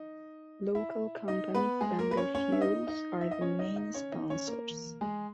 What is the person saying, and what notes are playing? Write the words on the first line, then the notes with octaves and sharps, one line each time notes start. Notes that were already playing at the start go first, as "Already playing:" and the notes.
Local company Bangor Fuels are the main sponsors.
Already playing: D#4 D#5
E4 E5
D#4 D#5
B3 B4
G#3 G#4
A#3 A#4
B4
C#4 C#5
C#4 C#5
E5
D#4 D#5
D#4 D#5
E5
D#5
C#4 C#5
D#4 D#5
D#4 D#5
C#4 C#5
D#4 D#5
C#4 C#5
A#3 A#4
G#3 G#4